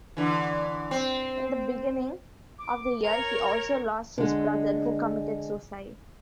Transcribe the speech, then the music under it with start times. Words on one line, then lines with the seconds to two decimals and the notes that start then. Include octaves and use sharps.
In the beginning of the year he also lost his brother, who committed suicide.
0.17 D3 E3
0.91 C4
2.59 D6
3.03 A#4 C#5 F7
4.18 D3 G#3